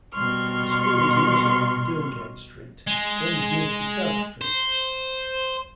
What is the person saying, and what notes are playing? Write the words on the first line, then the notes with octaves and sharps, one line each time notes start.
The school was initially in Durngate Street, then was moved to South Street.
B2 G3 C6 C#6 F6
G#3
C5